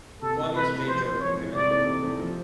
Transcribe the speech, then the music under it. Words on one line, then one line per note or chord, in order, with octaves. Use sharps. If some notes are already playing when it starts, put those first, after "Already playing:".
Flavius J. George in command.
C3 A4
E3 A3
C3 B4
E3 A3
F3 C5
G#3 C4 E4
F3 C#5
G#3 C4 E4
C3 D5
E3 A3 C4 D#4
C3
E3 A3 C4 D#4
F3